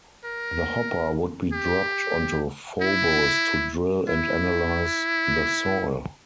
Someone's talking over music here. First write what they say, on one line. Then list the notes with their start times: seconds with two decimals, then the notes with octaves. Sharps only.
The hopper would be dropped onto Phobos to drill and analyze the soil.
0.25 A#4
1.52 G4
2.81 E4
4.08 E4